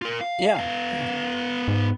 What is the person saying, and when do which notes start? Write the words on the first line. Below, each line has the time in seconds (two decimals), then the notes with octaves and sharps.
Yeah. Yeah.
0.02 F4 A#4
0.21 F5
0.57 B3 F5
1.68 G#2